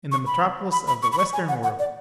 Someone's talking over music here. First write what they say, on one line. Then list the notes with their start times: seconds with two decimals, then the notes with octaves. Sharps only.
In the metropolis of the western world!
0.12 C#6
0.27 B5
0.72 B5
0.87 B5
1.03 C#6
1.12 B5
1.18 C#6
1.33 G#5
1.49 F#5
1.63 F#5
1.79 D5